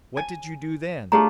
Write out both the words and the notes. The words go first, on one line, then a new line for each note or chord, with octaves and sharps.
"What did you do then?"
G#5
A3 D4 F4 G4 G#4 A#5